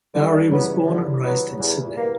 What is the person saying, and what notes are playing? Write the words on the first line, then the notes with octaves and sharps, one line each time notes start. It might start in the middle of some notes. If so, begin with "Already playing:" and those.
Bowrey was born and raised in Sydney.
D3 E3 G3
C#3 E3 F#3 B3
D3
F#3 B3
E2
B2 A#3